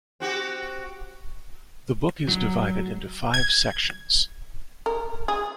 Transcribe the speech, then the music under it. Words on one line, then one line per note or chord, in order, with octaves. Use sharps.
The book is divided into five sections.
C4 F#4 G4
F#3
G#6
A#4
G#4